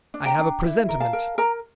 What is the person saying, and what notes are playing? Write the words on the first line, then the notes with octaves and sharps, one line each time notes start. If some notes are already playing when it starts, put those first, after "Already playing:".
I have a presentiment.
D4
G5 A#5
D4
E4
A#4
F5 A5
A#4
A#4 A#5